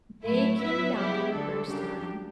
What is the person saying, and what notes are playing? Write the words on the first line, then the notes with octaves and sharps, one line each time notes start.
they came down for the first time
A2 F#3 A3 E4
F#3 B3 E4 B4 E5
C#3 F#3 B3 E4 G4
D2 D3 A3 D4 A4
F#2 C#3 G3 D4 G4